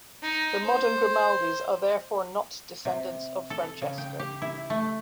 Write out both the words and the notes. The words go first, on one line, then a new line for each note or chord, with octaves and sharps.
The modern Grimaldis are therefore not descendants of Francesco.
D#4
C5
C3
A4
C#3
G5
G4
E4
A3